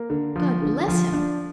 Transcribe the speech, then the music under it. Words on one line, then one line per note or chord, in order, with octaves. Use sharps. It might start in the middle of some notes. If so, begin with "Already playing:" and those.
God bless him!
Already playing: A#3
D3
F3
D3
F3
D4